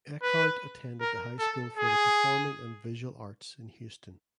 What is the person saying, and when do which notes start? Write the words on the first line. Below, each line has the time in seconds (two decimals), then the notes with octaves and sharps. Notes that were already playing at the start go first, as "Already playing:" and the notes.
Eckhardt attended the High School for the Performing and Visual Arts in Houston.
0.22 B4
1.01 A#4
1.39 A4
1.78 G#4